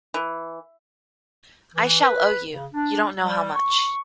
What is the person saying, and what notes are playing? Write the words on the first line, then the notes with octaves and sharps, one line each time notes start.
I shall owe you, you don't know how much.
E3
E3
B4
C#3
D4
G3
C#6